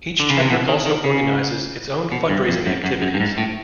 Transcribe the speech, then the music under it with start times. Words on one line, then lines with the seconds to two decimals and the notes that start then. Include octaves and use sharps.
Each chapter also organizes its own fundraising activities.
0.20 D3
0.30 C#3
0.40 C3
0.50 B2
0.68 D#3
0.86 D#3
1.04 C#3
2.12 B2
2.29 G2
2.48 F2
2.66 F#2
2.84 F#2
3.02 F#2
3.14 G2
3.20 G#2
3.38 A2